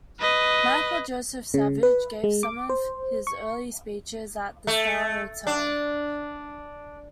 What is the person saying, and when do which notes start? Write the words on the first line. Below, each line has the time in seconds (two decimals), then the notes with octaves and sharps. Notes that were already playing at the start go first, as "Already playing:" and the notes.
Michael Joseph Savage gave some of his early speeches at the Star Hotel.
0.20 B4 D#5
1.54 C#3
1.83 B4
2.24 G#3
2.43 D6
2.69 C5
3.27 C#6
4.67 A3
5.47 D4